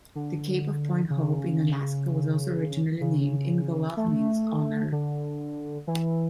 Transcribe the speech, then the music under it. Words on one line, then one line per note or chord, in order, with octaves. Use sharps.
The cape of Point Hope in Alaska was also originally named in Golovnin's honor.
D3
C#3
C#3
A3
D3
E3